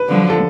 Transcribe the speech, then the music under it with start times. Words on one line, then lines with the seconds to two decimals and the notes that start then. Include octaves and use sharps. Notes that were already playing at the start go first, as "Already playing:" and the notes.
I mean,
Already playing: B4
0.09 D3 F3
0.30 A4